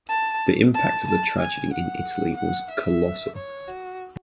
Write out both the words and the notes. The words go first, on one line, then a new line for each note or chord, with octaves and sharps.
The impact of the tragedy in Italy was colossal.
A5
A5
A5
G#5
F#5
F#5
E5
C#5
F#4